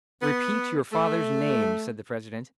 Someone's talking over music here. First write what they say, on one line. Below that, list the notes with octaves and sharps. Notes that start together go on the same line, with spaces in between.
"Repeat your father's name," said the president.
B3
A3